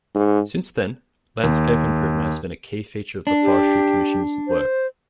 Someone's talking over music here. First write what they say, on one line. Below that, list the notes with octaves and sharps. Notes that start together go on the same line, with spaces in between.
Since then, landscape improvement has been a key feature of the Forestry Commission's work.
G#2
D#2
D4
G4
C5